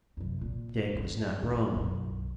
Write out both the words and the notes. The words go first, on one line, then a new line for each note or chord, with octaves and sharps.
Dick was not wrong.
F#2 C3
A#2
G2
E2 G2
B1 F#2